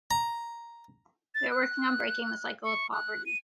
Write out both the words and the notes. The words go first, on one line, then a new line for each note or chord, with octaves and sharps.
We are working on breaking the cycle of poverty.
A#5
A6
F#6
C#6
F#6
D#7